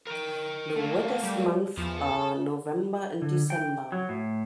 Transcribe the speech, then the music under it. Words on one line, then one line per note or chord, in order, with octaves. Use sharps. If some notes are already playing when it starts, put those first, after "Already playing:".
The wettest months are November and December.
A#4 G5
A3 A#3
G3
E2 F3
A4
D3
G5
F#3
A2